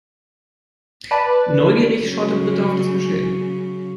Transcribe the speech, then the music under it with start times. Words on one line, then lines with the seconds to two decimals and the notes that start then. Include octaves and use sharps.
Neugierig schaute Britta auf das Geschehen.
1.11 B4 D5 A5
1.99 C#3 F#3